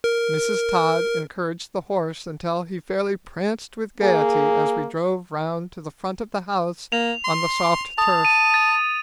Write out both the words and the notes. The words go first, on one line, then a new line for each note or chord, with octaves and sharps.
Mrs. Todd encouraged the horse until he fairly pranced with gayety as we drove round to the front of the house on the soft turf.
A#4
A#3 G#4
A#3 F7
C6
A5 D#6
D#7
A6